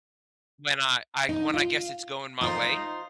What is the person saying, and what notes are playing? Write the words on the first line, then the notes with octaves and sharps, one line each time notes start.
When I I when, I guess it's going my way.
D#4
F4
D#4 F4 C5